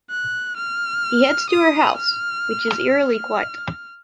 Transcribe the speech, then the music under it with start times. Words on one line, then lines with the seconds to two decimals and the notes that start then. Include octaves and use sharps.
He heads to her house, which is eerily quiet.
0.11 F#6
0.57 F6
1.50 D#6
1.97 F6
2.90 F6